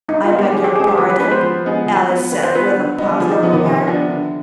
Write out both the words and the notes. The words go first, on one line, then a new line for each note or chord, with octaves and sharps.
'I beg your pardon?' Alice said with a puzzled air.
G2 D#4
F4
D#3 G#3 B3
G4
D#3 G#4
G4
G#3 C4 G#4
G4
F3 B4
B4
G#3 B3 B4
C5
F3
G#3 B3 D#4 G#4
F3
B3 F4
D#3 B4
C5
B3 F4 B4
D3
G3 B3 D#4
F3 G#4
D#4
F3 B3 D#4
D#3
C3 D#3
F3 B3 D4
D3